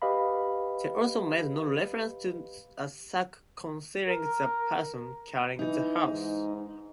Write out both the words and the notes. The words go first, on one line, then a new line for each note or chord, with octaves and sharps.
They also made no reference to a sack concealing the person carrying the horse.
G4 B4 D#5 F5 B5
A#4
E3 D#4
G#2